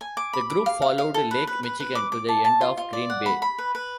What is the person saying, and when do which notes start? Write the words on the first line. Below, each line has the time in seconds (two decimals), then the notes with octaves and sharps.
The group followed Lake Michigan to the end of Green Bay.
0.01 G#5
0.17 D6
0.33 B5
0.50 D6
0.66 F5
0.82 F5
0.98 F5
1.14 A4
1.31 B4
1.47 B4
1.63 B4
1.80 B4
1.95 D6
2.12 D6
2.28 A5
2.45 A5
2.61 F4
2.77 F4
2.93 D5
3.10 F#5
3.26 B5
3.42 B5
3.58 B4
3.75 B4